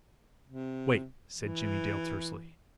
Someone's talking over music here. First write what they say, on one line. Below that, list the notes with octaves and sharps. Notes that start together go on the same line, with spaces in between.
"Wait!" said Jimmie Dale tersely.
C3
E3